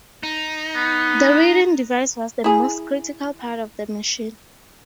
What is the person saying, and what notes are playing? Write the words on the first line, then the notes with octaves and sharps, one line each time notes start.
The reading device was the most critical part of the machine.
D#4
B3
E4 G#4